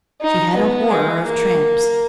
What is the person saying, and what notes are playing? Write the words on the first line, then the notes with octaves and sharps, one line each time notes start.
She had a horror of tramps.
D#4
B3
G#3
A#3